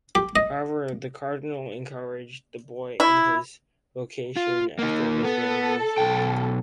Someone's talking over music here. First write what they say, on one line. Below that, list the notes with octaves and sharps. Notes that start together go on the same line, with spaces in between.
However, the Cardinal encouraged the boy in his vocation after visiting with him.
G4
D#5
E4
F4
A#3 D#4
B3 A4
B1 G5